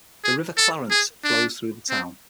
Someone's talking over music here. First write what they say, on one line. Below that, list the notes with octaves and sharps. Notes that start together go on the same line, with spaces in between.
The river Clarence flows through the town.
G#4
A4
G#4
D4
C4